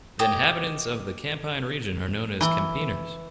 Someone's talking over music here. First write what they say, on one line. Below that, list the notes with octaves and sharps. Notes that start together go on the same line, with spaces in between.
The inhabitants of the Campine region are known as "Kempenaars".
G4 C#5 D#5
E3